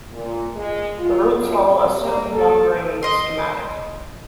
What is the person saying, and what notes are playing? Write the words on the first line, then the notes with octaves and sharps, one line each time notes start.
The routes follow a certain numbering schematic.
A#2
G#3
F4
F#2
C3
A#3
A4
D#5 C6